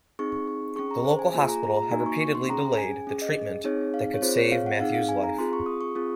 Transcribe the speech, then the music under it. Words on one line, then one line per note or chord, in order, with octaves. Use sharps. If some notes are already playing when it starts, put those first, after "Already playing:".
The local hospital had repeatedly delayed the treatment that could save Matthew's life.
C4 D#4 G#4 C#6
C#6
C#6
C#4 G#4 C#6
A#5
C5
G#5
A#3 F4 G#4 G#5
A#5
A#5
A#5
A#3 D#4 F#4 G#5
C#6
C#6
C6
C#4 G#4 A#5
G#5
C#4 G#4
D#5
C4 D#4 G#4 C#5
F5
C#5
C4 F4 G#4 C5
C#5
F5
F#5
C4 D#4 G#4 F5
F5
G#5
A#5
C4 F4 G#4 C6
C#6
D#6
C#6
C4 F4 G#4 D#6